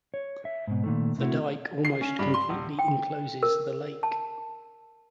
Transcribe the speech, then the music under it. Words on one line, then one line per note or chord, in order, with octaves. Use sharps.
The dike almost completely encloses the lake.
C#5
E5
G#2 B2
A#2 D#3 A3
C3 A3 E4 F#4
C7
C#4
G2
C6
D#1
G5
A#4
A5